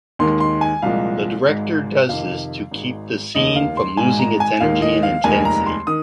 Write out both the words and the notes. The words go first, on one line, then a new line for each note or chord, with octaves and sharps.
The director does this to keep the scene from losing its energy and intensity.
D#2 D#3 G#3 C6
C6
G#5
C2 A#2 F3 G#3 F5
G#1 G#2 G#3
F2 C3 D#3 F5
G#1 G#2 G#3
F1 D#2 D#3 D#5
F5
C6
G#1 G#2 G#3 G#5
A#5
G#5
D#2 D#3 G#3 F5
D#5
F5
F1 D#2 D#3 G#3 G#5
A#5
C6
D#3 D#6